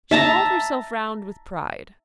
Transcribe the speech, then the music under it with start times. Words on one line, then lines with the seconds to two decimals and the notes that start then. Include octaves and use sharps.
She walled herself round with pride.
0.11 E5 A5 A#5